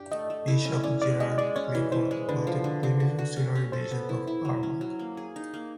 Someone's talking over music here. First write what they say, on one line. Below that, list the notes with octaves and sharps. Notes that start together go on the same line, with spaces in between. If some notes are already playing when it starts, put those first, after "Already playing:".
Bishop Gerard Clifford was the previous auxiliary bishop of armagh.
Already playing: D4 G4 D5
A3 D#5
A3
E4
C#4
C#4 D5
G#3 D5
G#3 D#5
G#3 D5
C#4 C#5
E3
E3 C5
G#3
D3 B4
F3
D3
D3
F#4
F#4
C#4
C#4
A4 C5
B3
E4
E4
F#3
C#4
F#3
A#3
G#4
D#4
A#3